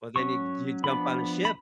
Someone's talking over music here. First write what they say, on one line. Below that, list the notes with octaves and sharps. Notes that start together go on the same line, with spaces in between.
Well, then you you jump on a ship.
F#3 C#4 C#6
F3 B3 D4 B5
B5